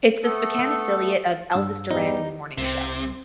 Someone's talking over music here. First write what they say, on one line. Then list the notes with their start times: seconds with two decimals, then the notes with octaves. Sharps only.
It is the Spokane affiliate of "Elvis Duran and the Morning Show".
0.23 A3 B3 A4
1.53 G2 E6
1.91 E2 G3 D#4
2.58 C2 C3 C4